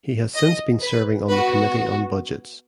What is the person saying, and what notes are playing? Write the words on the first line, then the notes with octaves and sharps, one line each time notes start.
He has since been serving on the Committee on Budgets.
D#5
B4
B3 F#4 B4